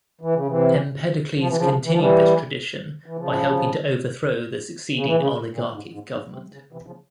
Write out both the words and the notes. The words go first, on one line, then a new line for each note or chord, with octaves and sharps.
Empedocles continued this tradition by helping to overthrow the succeeding oligarchic government.
E3
C#3
C3 E3
F3
E3
C#3 F3
E3
F3
E3 G3
E3
C#3 F3
C#3
E3
C#3
A#2
G#2
G#2
G#2
C3
C#3
C3 E3
C#3 F3